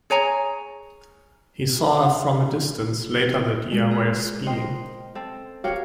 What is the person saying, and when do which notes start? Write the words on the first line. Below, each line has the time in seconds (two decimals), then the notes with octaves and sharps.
He saw her from a distance later that year while skiing.
0.10 G#4 C#5 G#5 A#5
3.72 G#3
3.91 G#4 A#4 B4
4.46 A#4 C5 D#5 G5 C6
5.15 C4 A4
5.64 F#4 G4 A#4 C#5 F5 G5